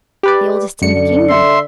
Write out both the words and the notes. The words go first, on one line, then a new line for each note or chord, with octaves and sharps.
"The oldest in the kingdom."
G4 B4 D5
F#2 D3 A4 D5 C#7
E5 C6